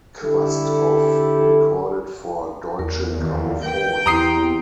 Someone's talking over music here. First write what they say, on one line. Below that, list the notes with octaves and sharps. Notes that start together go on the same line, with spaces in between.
Quasthoff recorded for Deutsche Grammophon.
D3 G3 E4 G4 A4
E2 A#4
D#2
A#4 B4 G5
E2 C4 E4 G4 A#5 D#6 C7